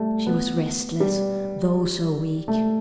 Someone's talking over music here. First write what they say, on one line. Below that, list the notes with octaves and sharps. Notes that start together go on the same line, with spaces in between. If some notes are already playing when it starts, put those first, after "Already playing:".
She was restless, though so weak.
Already playing: G3 A3
B3
G3
A3